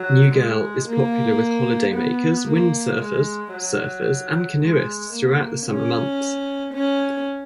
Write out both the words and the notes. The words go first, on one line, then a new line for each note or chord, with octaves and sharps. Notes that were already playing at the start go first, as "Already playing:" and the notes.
Newgale is popular with holiday makers, windsurfers, surfers and canoeists throughout the summer months.
Already playing: F#3
G#3
A#3
B3
A#3
G#3
F#3
G#3
A#3
C#4
C#4